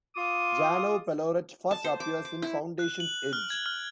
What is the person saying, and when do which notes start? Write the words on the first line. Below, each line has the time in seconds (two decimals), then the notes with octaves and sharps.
Janov Pelorat first appears in "Foundation's Edge".
0.16 F4 D6 D#6
1.71 A5
1.84 C5
2.00 D6
2.25 D6
2.42 E4
2.79 F#6
3.00 F#7
3.33 F6
3.50 G#6
3.66 F6